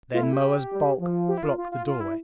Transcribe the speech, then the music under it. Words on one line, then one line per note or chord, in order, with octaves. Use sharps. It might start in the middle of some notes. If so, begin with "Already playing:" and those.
Then Moa's bulk blocked the doorway.
A3 F4
E4
G4
G3
F3
G4
E4
F4
F4
F4
F4
E4